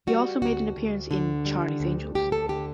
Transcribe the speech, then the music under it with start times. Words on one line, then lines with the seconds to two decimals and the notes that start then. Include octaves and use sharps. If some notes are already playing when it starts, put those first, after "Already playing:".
He also made an appearance in "Charlie's Angels".
0.07 G3 F#4
0.42 D2 F#4
0.77 D2
1.11 D3
1.46 G3
1.80 D2
2.15 D2 G4
2.32 A4
2.49 D3 G4